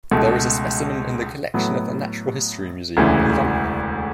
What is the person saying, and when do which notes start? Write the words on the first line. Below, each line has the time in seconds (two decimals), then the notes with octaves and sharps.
There is a specimen in the collection of the Natural History Museum in London.
0.11 C#2 B2 A3
1.54 A2 F#3 B3
2.97 E1 D2 C#3 E3